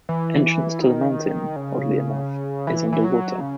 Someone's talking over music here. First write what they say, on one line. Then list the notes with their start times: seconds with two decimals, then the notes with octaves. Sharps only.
Entrance to the mountain, oddly enough, is under water.
0.09 E3
0.82 D#3
1.56 C#3
2.67 E3
2.92 E3
3.04 F#3
3.40 C#3